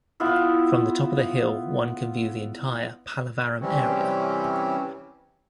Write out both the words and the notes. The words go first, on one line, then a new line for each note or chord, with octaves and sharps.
From the top of the hill, one can view the entire Pallavaram area.
B3 E4 F4 E5
C3 E3 G3 C4 C#4